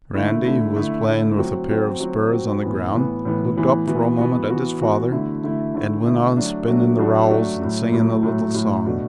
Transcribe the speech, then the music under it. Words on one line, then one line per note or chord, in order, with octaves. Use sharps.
Randy, who was playing with a pair of spurs on the ground, looked up for a moment at his father and went on spinning the rowels and singing a little song.
D3 A3 E4
D3 A3 E4
D3 A3 E4
D3 A3 E4
F#3 C4 F#4
F#3 C4 F#4
F#3 C4 F#4
F#3 C4 F#4
A2 E3 B3
A2 E3 B3
A2 E3 B3
A2 E3 B3
E3 B3 F#4
E3 B3 F#4
E3 B3 F#4
E3 B3 F#4
D3 A3 E4
D3 A3 E4
D3 A3 E4
D3 A3 E4
F#3 A3 D4 F#4
F#3 A3 D4 F#4
F#3 A3 D4 F#4
F#3 A3 D4 F#4
A2 F#3 A3
A2 F#3 A3
A2 F#3 A3
A2 F#3 A3
B2 A3 D4 F#4